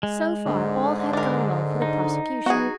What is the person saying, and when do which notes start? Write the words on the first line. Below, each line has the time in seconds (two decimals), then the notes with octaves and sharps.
So far, all had gone well for the prosecution.
0.03 G#3
0.46 G#2 D3
1.13 D4 A#4
1.82 D#4
2.46 B3 F#4 G#4